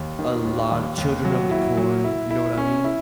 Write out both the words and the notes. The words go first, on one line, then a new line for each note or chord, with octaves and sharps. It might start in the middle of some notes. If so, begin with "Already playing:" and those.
A lot of Children of the Corn, you know what I mean?
Already playing: D#2
D#3
D#2
D#2
D#2
F#3
E4
F#3
E4
E4
C#4
E4